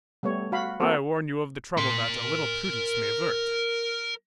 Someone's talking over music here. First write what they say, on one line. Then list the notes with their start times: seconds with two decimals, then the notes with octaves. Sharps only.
I warn you of the trouble that a little prudence may avert.
0.23 G3 A3 B3 C#5
0.52 F#4 F5 B5
0.80 A#3 C4 F#4 A4 C5
1.78 A#4 C6